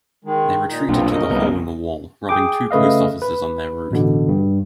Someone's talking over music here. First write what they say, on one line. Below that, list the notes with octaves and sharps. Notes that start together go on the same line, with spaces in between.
They retreated to the Hole-in-the-Wall, robbing two post offices on their route.
D#3 G#3
A#2 D#4
B1 A#2 B3 C4 D4 F4
C#3 A#4 D#5
C2 B3
G#4 G5 D6
C#3 A3 B4 D#5 F5
B4
A1 B2 D3
G2